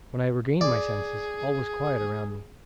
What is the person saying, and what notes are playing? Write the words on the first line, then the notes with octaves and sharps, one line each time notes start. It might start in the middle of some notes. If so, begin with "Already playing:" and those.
When I regained my senses, all was quiet around me.
G#4 D5